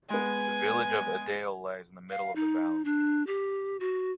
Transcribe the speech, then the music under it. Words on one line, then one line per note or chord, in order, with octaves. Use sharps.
The village of Edale lies in the middle of the valley.
G#3 B3 G#5
F5
D#4
D4
G4
F#4